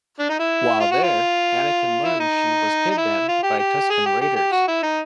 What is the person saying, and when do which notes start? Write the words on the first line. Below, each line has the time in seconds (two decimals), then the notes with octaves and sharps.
While there, Anakin learns she was kidnapped by Tusken Raiders.
0.19 D4
0.29 D#4
0.39 E4
0.80 F4
0.91 F#4
1.03 F4
2.04 E4
2.20 D#4
2.91 D#4
2.98 E4
3.29 F4
3.43 G4
3.59 G4
3.90 G#4
4.06 G4
4.21 G4
4.36 G4
4.52 F#4
4.68 E4
4.83 D#4